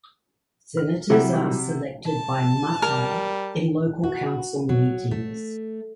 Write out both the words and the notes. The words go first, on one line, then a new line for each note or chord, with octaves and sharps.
Senators are selected by matai in local council meetings.
F6
C3 F#3 G3 E4 F#5
A5
G3 A#4
F#4
F#3
A3